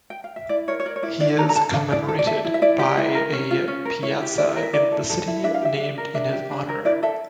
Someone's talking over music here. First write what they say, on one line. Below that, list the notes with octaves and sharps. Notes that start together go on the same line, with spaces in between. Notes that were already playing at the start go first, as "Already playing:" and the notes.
He is commemorated by a piazza in the city named in his honour.
G5
F5
E5
E4 D5
A#4 C#5
C#5
A#4 D5
C#5
E4 D5
D4 D5
A4 A#5
A#5
A4 A5
D4 F5
E4 D5
A4
D5
A4 E5
E4
E5
E4 D5
G4
E4
A#4
C#4
F4
C#4
A#4
E4 C#5
G4
E4 D5
A#4
E5
E4 D5
A4
A4
E4
D4 E5
F5
G4 E5
D4
A#4
D4 E5
G4
D4
A#4
E4 D5
A4 E5